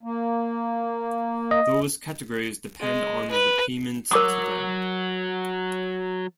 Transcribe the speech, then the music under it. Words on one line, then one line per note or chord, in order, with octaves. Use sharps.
Those categories depend on the payment to them.
A#3
D#5
G#3
B4
F#3 A#4 C#5 D6 D#6